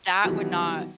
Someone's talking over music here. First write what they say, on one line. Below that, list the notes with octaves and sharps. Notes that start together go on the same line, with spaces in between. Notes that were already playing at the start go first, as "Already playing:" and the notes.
That would not
B2 D#3 E3 F#3 G3